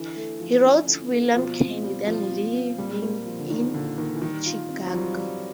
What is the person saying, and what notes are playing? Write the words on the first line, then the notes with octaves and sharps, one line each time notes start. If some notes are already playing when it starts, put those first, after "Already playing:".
He wrote to William Chaney, then living in Chicago.
Already playing: D3 E3
A3
F3
C#4
D3
A3
B2 F3
C4
G3
B2 F3
B2
C4
A#2 G3
A#3
F3
D3
D#3 D4
A#2 D3
D#3 A#3
E3
D#3 G3
F4
C4
F#3
F3 G3
G3